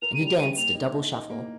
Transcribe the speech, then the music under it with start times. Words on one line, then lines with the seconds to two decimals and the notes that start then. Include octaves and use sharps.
And he danced a double shuffle.
0.02 A#4 F7
0.14 D#7
0.20 G3
0.26 F7
0.38 G3 D#7
0.56 A#3 F7
0.75 D#4
0.93 D#4
1.12 D#4
1.30 A#3